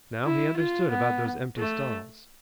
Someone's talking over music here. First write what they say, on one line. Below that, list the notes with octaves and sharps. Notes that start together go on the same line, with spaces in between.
Now he understood about those empty stalls.
E4
F4
B3
A3